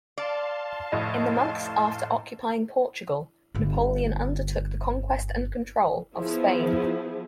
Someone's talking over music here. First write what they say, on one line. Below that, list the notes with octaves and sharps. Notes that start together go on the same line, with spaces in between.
In the months after occupying Portugal, Napoleon undertook the conquest and control of Spain.
D5 F5 A5 C6
F1 A2 D#5
G1 D3
F3 B3 E4 G#4